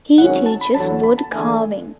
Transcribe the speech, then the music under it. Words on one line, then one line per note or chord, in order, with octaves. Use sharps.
He teaches woodcarving.
G#1 G#2 F#3 C#4 F#4 F#5
A5
B5
E2 D3 F#3 A5
B5
A5
E2 D3 A3 G#5